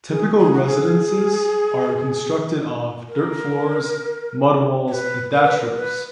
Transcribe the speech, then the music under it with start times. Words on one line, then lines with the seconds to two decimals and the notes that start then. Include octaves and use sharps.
Typical residences are constructed of dirt floors, mud walls, and thatch roofs.
0.09 G#4
0.39 G#4
0.53 F#4
0.65 G#4
3.08 A#4
4.88 C#5
4.92 B4
5.32 A#4
5.44 B4
5.57 A#4
5.76 B4